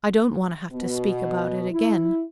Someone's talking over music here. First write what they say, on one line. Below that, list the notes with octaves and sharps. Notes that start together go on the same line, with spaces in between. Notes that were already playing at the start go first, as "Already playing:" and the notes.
I don't want to have to speak about it again.
B2
E4